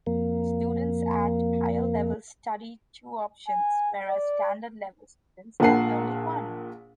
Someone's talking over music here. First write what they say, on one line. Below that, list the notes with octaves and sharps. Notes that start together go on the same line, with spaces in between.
Students at higher level study two options whereas standard level students study only one.
F2 A#3
G#5
D5
A#1 A#2 A#4 F#5 A5 C7